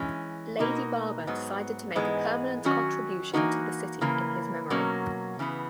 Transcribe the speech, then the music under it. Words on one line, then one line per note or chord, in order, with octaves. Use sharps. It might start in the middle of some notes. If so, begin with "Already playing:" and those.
Lady Barber decided to make a permanent contribution to the city in his memory.
Already playing: E3 G#3 C#4
B2 A#3 D#4 F#4
G#2 F#3 B3
G#2 E3 G#3 B3
D#3 F#3 C#4 F#4
E3 A#3 D#4 F#4
C#3 E3 A#3
B2 F#3 A#3 C#4
C#3 E3 B3